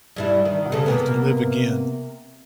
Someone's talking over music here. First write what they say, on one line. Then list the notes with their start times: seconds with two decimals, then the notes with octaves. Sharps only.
I want to live again.
0.16 G2 G3 E4
0.45 D#3
0.72 C#3 A4
0.86 C3 A#3 B3